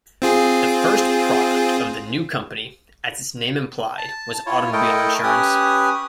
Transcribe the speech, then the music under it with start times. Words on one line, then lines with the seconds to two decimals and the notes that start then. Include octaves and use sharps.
The first product of the new company, as its name implied, was automobile insurance.
0.22 C4 F4 G#4
3.98 A5
4.46 E4 F4 C#5
4.73 A3 E4 A4 A#4 D#5 G5
5.23 C#4 G4 B4 G#5 D#6